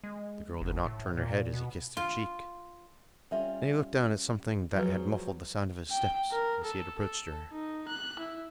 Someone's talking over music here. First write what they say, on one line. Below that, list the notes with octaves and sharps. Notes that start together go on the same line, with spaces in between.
The girl did not turn her head as he kissed her cheek, and he looked down at something that had muffled the sound of his steps as he had approached her.
G#3
F#1
A2
A#2
B2
F4
G3 C#4 F4 A4 E5
F3 F#3 G#3 E4 B4
G5
A#4
A4
A4
D#4
F#6
E4